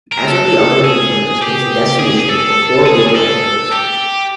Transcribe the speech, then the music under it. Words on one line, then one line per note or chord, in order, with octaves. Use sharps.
As with the other three corners it is a destination for four-wheel-drive tourists.
A#4
A4
G#4
G4
G#4
G#4
A4
G#4
G#4
A4
G4